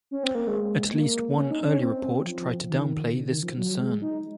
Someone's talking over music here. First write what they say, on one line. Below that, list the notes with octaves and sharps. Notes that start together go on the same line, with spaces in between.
At least one early report tried to downplay this concern.
C#4
C4
A#3
G#3
A#3
C#4
D#4
C#4
C4
F3
D#3
C#3
D#3
F3
F#3
G#3
D#4